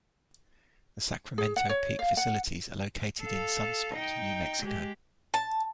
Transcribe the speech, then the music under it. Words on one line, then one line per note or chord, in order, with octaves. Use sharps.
The Sacramento Peak facilities are located in Sunspot, New Mexico.
G#4
F#5
C#5
F5
F#5
A4 F5
D#4 G5
G#3 G4
A5